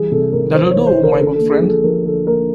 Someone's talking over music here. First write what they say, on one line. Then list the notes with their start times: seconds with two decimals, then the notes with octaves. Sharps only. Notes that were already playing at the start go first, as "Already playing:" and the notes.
That'll do, my good friend!
Already playing: E3 G3 G#4
0.12 C3 A4
0.33 C3 A#4
0.55 E3 C5
0.71 C#5
0.76 E3
0.87 C5
0.98 D4
1.03 A#4
1.19 D3 A4
1.35 A4
1.40 A#3
1.51 G#4
1.61 F3
1.67 A4
1.84 F3 A#4
2.05 D3 A4
2.27 A#3 A#4